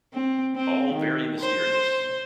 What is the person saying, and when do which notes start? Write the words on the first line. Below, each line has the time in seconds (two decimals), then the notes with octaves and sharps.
All very mysterious!
0.13 C4
0.55 C4
0.93 D#3
1.40 C5